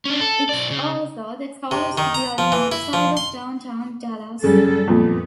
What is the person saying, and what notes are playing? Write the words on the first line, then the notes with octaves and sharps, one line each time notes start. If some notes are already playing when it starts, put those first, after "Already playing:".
It's also the tallest building outside of Downtown Dallas.
C#4 D4
A4
B1 D5
C#3
C3
D#3
A#5
F3
E3
E4
F3
C6
F#2 C#3 G3 A4
F2 A#2 B3